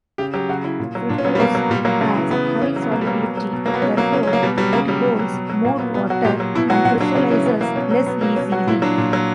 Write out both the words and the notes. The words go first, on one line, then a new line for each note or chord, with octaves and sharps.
Fructose has high solubility, therefore it holds more water and crystallizes less easily.
C#3 G4
F#3 G4
C#3 F#4
F#3 E4
A#2
F#3
A#2 D4
C#4
F#3 B3
G3
B2 A#3
F#3
A#2 G3
F#3 A#3
C#3
E3
C#3 B3
E3
C#3 C#4
F#3
B3
B2 A#3
G3
F#3 A#3
B2
F#3
B2
F#3 A#3
B3
B2 C#4
F#3 A#3
C#3 C#4
C#4
F#3
A#3
B2 G3
F#3 G3
C#3 A#3
F#3 G3
B2
F#3
B2
F#3
A#2 A#3
F#3 B3
B2 B3
F#3 F#4
A#2 G4
F#3
B2 E4
F#3 F#4
A#2 F#4
F#3 D4
C#3 C#4
E3 C#4
B2 B3
F#3 A#3
B2 C#4
F#3
B2 B3
F#3 A#3
B2 C#4
F#3 F#4
A#2 E4
F#3 D4
A#2
F#3